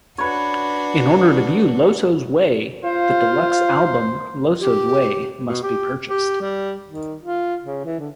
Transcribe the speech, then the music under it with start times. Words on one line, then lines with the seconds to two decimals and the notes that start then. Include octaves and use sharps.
In order to view "Loso's Way", the deluxe album "Loso's Way" must be purchased.
0.18 D4 F#4 B4 C#5
2.85 F4 C5 F5
4.61 G4
5.48 B2
5.63 G4
6.10 G4
6.42 G3
6.88 D#3
7.22 F4
7.64 C#3
7.85 E3
7.99 D3